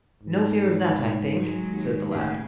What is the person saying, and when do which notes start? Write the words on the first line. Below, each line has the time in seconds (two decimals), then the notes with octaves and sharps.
No fear of that, I think,' said the lad.
0.23 G#2
1.39 F#3 G#3
1.69 D#2
2.10 A2 C#3